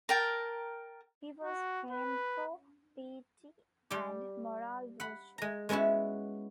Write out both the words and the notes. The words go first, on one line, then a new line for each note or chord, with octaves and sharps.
He was famed for "piety and moral virtues".
A#4 G5 A5
F#4
B4
G3 G4
F#5 B5
G#3 A#5
G#3 B3 C#4 E4 F#4